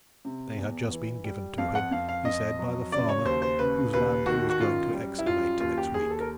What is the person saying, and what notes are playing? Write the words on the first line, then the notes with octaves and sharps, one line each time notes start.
They had just been given to him, he said, by the farmer whose land he was going to excavate next week.
C3
E2
E3
G3
F2 F5
F#5
F2 F5
F5
F2 D#5
F#3
C#3 D5
C#5
D#2 C5
C5
C#3 B4
D#2 B4
D#3 F#4
F#4
F#2 F4
G3
E4
F#2 F4
D#2 F4
G4
D#2 G#4
A4
A#4